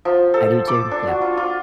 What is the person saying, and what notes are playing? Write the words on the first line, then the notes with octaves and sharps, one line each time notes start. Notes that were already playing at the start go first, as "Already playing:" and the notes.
I do too, yeah.
F3
A4
D6
D4
F#4
F4
F4